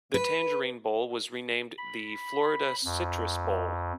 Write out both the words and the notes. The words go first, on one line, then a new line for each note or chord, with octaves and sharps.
The Tangerine Bowl was renamed the Florida Citrus Bowl.
B4
B5
F2